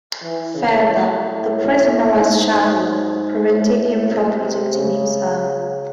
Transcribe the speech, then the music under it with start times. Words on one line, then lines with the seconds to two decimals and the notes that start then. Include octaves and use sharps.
Further, the prisoner was shackled, preventing him from protecting himself.
0.22 E3
0.55 C#3
0.86 A2
2.16 G#2
3.46 A2
4.09 C3
4.74 C#3